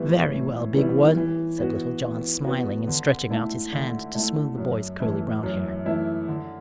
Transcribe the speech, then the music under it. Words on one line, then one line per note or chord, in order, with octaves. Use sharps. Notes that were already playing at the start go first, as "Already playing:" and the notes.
"Very well, big one," said Little John, smiling and stretching out his hand to smooth the boy's curly brown hair.
Already playing: A2 E3 G3 B3 E4
A2
E3 G3 B3 E4
E3
B3 F#4
E3
B3 F#4
D3
A3 E4
D3
A3 E4
F#2
E3 A3 E4
F#2
E3 A3 E4
D3